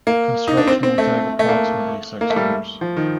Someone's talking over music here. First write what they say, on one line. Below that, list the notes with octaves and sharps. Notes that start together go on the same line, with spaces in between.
Construction will take approximately six years.
A#3
D#4
D4
C4
C4
A3
A3
A#3
A#3
A3
G3
F3
D#3